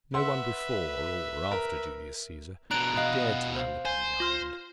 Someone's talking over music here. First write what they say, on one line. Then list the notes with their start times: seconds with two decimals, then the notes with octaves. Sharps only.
No one before or after Julius Caesar had dared to land upon the island.
0.14 B4 E5 F#5 C6 E6
1.51 A#4
2.71 B2 D4 A#5 F#6 D7
2.97 D#5 F5 F#6
3.56 C5 F5
3.85 C5 G#5
4.20 F4 F6